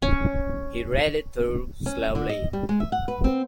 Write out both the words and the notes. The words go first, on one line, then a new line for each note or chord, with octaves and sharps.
He read it through slowly.
C#4
C#4
D3
D#5
G3
G#3
E5
F#5
B4
C4